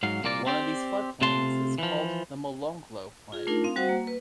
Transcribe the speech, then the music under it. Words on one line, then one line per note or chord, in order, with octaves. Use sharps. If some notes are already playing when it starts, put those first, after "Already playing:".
One of these floodplains is called the Molonglo Plain.
G#2 F#3 F5
C2 A#2 A#3 D5
C4 G4 D5
C3 A3 F4 A5 C6
E3 F3
F4 G#4
A3 D4 D#4 F4 A#4
C4 F5
G3 F#4 C5 F#5
A#3
B4